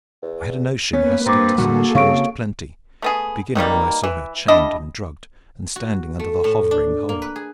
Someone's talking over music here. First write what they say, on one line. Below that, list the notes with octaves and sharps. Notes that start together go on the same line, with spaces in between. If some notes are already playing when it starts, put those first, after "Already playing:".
I had a notion her status had changed plenty, beginning when I saw her chained and drugged, and standing under the hovering horror.
E2
A#3 B3 C#4 B4
G2 C4 A#5 D6
A2 D3 G3 A#3 F#4 G#4 A4
C#3 F#3 C4 F5 C#6 D7
A3 B3 G#4
B2 D#3 G3 A#3
E3
G3 D4 E4 D#5
F#4
A3
A2
D4
A#3
B4
G#4